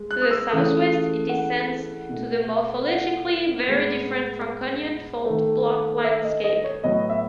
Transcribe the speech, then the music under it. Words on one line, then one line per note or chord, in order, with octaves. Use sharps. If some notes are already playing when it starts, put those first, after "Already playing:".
To the southwest it descends to the morphologically very different Franconian fault-block landscape.
Already playing: G#3
F#6
D#6
E6
C#3 E3 A3 D#6
F#5
B2 A3
F#5
A2 G#3 B3
D#3 A3
E5
D#5
D#5
C#5
A2 F#3 B3 D#5
E5